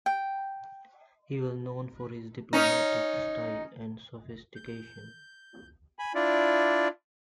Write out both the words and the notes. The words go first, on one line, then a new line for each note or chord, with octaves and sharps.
He was known for his diplomatic style and sophistication.
G5
C#4 D#4
G6
G#5 B5
D4 E4 F4 D5